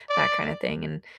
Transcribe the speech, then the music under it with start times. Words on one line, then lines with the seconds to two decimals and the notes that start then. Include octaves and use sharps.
that kinda thing, and
0.10 D5